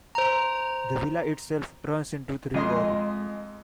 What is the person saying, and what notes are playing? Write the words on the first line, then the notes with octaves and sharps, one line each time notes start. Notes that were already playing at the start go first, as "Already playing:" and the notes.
The villa itself runs into the river.
C5 A#5
F2 G#3 D#5 C6